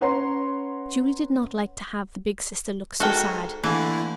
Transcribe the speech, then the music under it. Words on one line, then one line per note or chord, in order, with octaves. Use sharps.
Julie did not like to have the big sister look so sad.
C#4 B4 C#5 F#5 A#5 C6
G#2 F#4 A4 A#4 G5
D3 E3 A3 A#3 E4